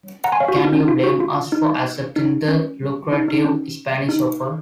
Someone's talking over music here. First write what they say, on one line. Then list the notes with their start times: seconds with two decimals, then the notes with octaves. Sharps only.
Can you blame us for accepting the lucrative Spanish offer?
0.24 F#5 A#5
0.32 G#5 C6
0.40 C#5 F5
0.48 F#4
0.56 F4
0.65 D#4
0.73 C#4
0.80 D#4
0.88 F4
1.04 F#4
1.20 F4
1.52 D#4
2.16 D#4
2.48 C#4
3.12 D#4
3.28 D#4
3.45 C#4
4.09 D#4